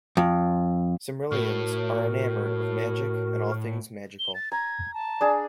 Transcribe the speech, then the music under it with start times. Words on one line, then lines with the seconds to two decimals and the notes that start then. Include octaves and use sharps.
Cymrilians are enamoured of magic and all things magical.
0.17 F2
1.32 A2 F#4 A#4
4.19 G7
4.35 A6
4.52 A#5 G#6
4.94 A5
5.21 D4 G#4